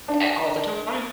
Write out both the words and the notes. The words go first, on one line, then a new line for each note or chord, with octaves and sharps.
Eh, all the time.
D4